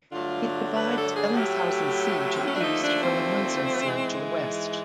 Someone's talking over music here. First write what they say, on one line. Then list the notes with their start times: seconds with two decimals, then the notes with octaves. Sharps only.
It divides Bellingshausen Sea to the east from Amundsen Sea to the west.
0.11 G2 D3 F#3 A3 F4
0.73 B4
0.94 A4
1.15 G#4
1.35 A2 F#3 A3 G4
2.36 C4
2.44 C#4
2.52 D4
2.60 D#2 D3 F3 A3 D#4
2.80 D4
3.00 C4
3.83 G#2 E3 G#3